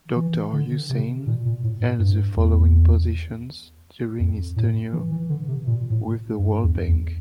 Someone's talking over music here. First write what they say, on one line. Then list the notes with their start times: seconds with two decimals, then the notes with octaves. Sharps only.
Doctor Husain held the following positions during his tenure with the World Bank.
0.16 E3
0.53 D3
0.90 C3
1.27 A#2
1.45 A#2
1.63 A2
1.80 A2
1.99 G2
2.36 E2
4.20 F2
4.56 A2
4.93 E3
5.11 E3
5.29 D3
5.48 C3
5.67 A#2
5.90 A2
6.39 G2
6.63 E2
6.88 E2